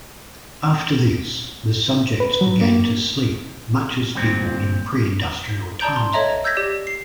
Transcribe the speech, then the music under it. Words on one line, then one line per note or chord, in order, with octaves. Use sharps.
After this the subjects began to sleep much as people in pre-industrial times had.
B4
F#3
A#3
D2 G2 A#2 C4
D5 A5 A#5 G6 D7
C6
A4 C#5 D#5 E5 A#5
E6 G6 G#6 A#6 B6
G4 D5
C7